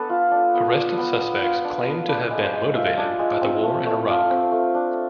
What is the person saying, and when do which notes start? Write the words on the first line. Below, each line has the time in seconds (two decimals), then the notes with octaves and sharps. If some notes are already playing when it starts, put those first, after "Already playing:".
Arrested suspects claimed to have been motivated by the War in Iraq.
Already playing: B3 D4 A4 B4 A5
0.10 F4
0.31 D4
0.54 B3
0.76 D4
0.98 B3
1.20 B3
1.42 F4
1.64 D4
1.86 B3
2.08 D4 B4
2.31 G#3
2.42 C5
2.53 G#3
2.75 F4 E5
2.97 D4
3.19 G#3
3.41 C4
3.64 A3
3.86 A3
4.07 F4 C6
4.30 C4
4.52 A3
4.75 D4